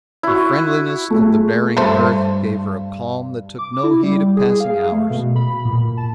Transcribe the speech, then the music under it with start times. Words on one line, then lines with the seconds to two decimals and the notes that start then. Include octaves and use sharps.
The friendliness of the bearing earth gave her a calm that took no heed of passing hours.
0.23 E4 F#4
1.10 A3 F4 G#4
1.77 G2 A3 A4 C5
3.58 D6
3.84 E4
4.03 G3
4.37 G#4
4.60 F5
4.92 A3
5.10 B2
5.36 B5
5.65 A#2
5.97 A5